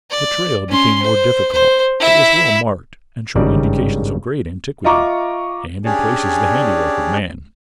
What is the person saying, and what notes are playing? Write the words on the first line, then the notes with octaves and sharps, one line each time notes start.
The trail became more difficult but was well marked and showed indications of great antiquity, and, in places, the handiwork of man.
D5
C#4 C6
C5
C5
E4 E5
G#1 G2 C#3 G3 D#4 D5
F4 D#5 E5 A#5 C#6 D6
C#4 D4 G4 G#4 C#5 D5